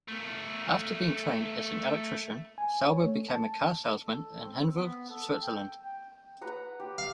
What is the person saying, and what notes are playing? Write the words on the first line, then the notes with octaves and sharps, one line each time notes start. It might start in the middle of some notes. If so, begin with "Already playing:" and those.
After being trained as an electrician Sauber became a car salesman in Hinwil, Switzerland.
A3 A#4
G#5
C#5
A3
A5
A4
C4
B3
A4
G5
G5
B4 F#5 A#5
G4
F5